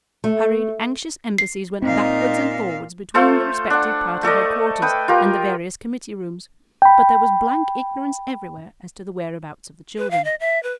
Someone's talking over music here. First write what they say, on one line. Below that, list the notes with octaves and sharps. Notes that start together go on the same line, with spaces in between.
Hurried, anxious embassies went backwards and forwards between the respective party headquarters and the various committee-rooms, but there was blank ignorance everywhere as to the whereabouts of the children.
A3
C7
A#2 C4 D#4 F5
A3 F4 A4 C5
D4 F#5
A3 A4 D5 D#5
B4 G5 D#6
F4 G4 A#4
G5 B5
B4
F5
D#5
E5
B4